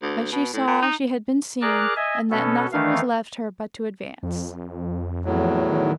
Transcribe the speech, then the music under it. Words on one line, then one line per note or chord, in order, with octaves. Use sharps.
But she saw she had been seen and that nothing was left her but to advance.
D2
B2
A2
A#2
D#4
G#4 A#4 D5 A#5 D6 F#6
D#5 E5 G#5
B2 B3 C#4 A4
D#3 E3 A3 F5
F2
E2 A2 F#3
D#3